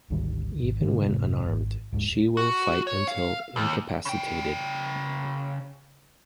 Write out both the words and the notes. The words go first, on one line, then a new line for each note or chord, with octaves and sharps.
Even when unarmed, she will fight until incapacitated.
G#1 D2 D#3 G3
G#1
G#2 D3
F1 G#2 C3 D#3
D#1 G#1
D1 G#2
F#4
C#5
F5
D#2
C#3 G5